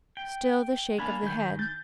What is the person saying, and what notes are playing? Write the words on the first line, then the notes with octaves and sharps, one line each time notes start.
Still the shake of the head.
G5
A#3 D4 G#5 B5 G#6
D#3 G6
G6 A6